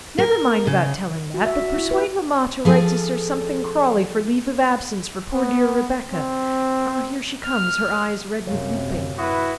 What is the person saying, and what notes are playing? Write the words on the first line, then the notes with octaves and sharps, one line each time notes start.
"Never mind about telling that; but persuade Mamma to write to Sir Something Crawley for leave of absence for poor dear Rebecca: here she comes, her eyes red with weeping."
A#4
C#3
F#4
E5
F#4
E4
B4
F3 G#4 A4 G#5
B3
C4
F6
F#2 A2 C3 C#5 F5
E4 F#4 B4 B5 D#6